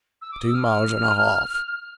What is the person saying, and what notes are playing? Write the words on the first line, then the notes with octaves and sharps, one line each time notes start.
"Two miles and a half."
E6
D6
D#6
E6
F6